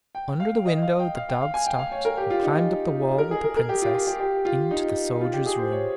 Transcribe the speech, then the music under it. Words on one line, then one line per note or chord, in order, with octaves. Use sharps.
Under the window the dog stopped and climbed up the wall with the Princess, into the soldier's room.
G5
F5
D#5
F5
G5
F5
G5
F5
G#5
G5
F5
C#5
A#4
G4
F4
D#4
F4
A#4
G#4
A#4
A#4
G4
F4
F4
G4
G4
F4
D#4
F4
G4
G#4
C5
C#5